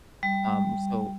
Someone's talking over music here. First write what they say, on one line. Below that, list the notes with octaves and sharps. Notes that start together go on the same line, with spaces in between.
um, so
G3